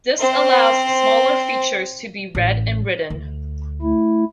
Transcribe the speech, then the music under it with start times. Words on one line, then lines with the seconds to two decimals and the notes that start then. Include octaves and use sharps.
This allows smaller features to be read and written.
0.20 C4 C5
2.35 A1
3.10 D2
3.82 A3 E4